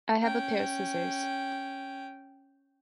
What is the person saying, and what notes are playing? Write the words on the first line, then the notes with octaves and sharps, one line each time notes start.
I have a pair of scissors.
C#4 G5